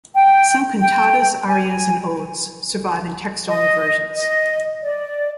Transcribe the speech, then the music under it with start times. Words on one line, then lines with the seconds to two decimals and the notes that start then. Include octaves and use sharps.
Some cantatas, arias, and odes survive in text-only versions.
0.14 G5
0.81 G5
1.48 G#5
3.49 D#5
4.15 D#5
4.82 D5